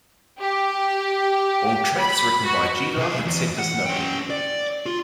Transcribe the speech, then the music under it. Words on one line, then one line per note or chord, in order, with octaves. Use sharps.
All tracks written by G. Love except as noted.
G4
B5
F#4
B1 G#4
E2
F#5
C#4 G5
D5
F4